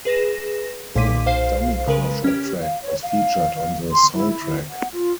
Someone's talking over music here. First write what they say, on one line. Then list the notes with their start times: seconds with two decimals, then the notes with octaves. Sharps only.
The "Dummy Crusher" track was featured on the soundtrack.
0.05 G#4 B4 A#6 E7
0.95 B1 A#2 C6 D6 B6 D#7
1.26 B1 C5 F5 C7
1.88 C#3 G#3 A#4 B4
2.24 C#4 G4
2.60 F5
2.83 C#5
3.03 F5
3.92 C6
4.14 E4
4.70 F#5
4.92 F4